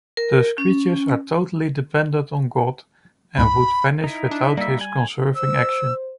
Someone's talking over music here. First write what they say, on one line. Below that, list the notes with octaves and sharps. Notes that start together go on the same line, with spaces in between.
Thus creatures are totally dependent on God and would vanish without his conserving action.
A#4
C#4
C#2 G#2 B5 F#6
D#4 E4
D4
G3 A#3 D#4 E5
G#5
C5 E6